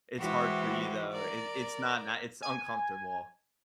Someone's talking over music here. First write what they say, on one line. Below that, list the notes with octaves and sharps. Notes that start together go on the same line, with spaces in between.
It's hard for you, though. It it's not not it's uncomfortable.
E3 G#3 E4 F#4 G4 C5
A#4 D5
G#5